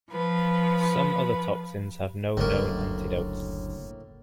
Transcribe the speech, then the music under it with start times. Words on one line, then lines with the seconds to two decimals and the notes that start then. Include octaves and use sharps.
Some other toxins have no known antidote.
0.10 F3 B4
2.37 F#1 D2 A2 A#3